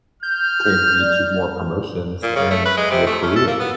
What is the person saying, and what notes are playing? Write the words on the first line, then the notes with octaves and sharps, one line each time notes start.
can lead to more promotions, and be a career.
F6 G6
D5
A#2
C#3
A3
B4
G#3
C3
A3
C#4
A4
A#3
B3